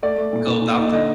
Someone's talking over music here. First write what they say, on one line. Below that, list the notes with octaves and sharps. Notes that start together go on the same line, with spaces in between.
go about that.
A3 D5
A3
A#2
A#2
A#2
D#4
D3 D#5